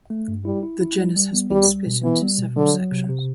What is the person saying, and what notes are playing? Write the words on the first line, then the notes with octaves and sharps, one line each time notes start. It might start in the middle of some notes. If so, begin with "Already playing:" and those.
The genus has been split into several sections.
A3
G2
G3 E4
E4
E4
G3
G3
B3
C2 G3
G3
B2
E3 B3
G3
B2
D3 F#3
F#3
C3
C3